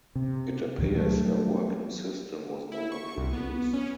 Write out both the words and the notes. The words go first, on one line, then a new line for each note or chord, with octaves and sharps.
It appears a working system was never produced.
C3
D2 A#2 D#3 F#3
F#3 G3 A3
E4
C#6
C2
B3
C#4